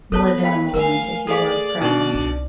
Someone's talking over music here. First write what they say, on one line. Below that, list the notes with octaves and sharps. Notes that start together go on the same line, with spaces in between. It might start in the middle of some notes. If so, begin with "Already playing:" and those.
live in the moment, if you are present,
B3 A4 B4 C#5 A5
F5 G5 B5
A3 A#4 F5 G#5
G#4 A4 D5 F5
B2 D4 D#4 C#6
C2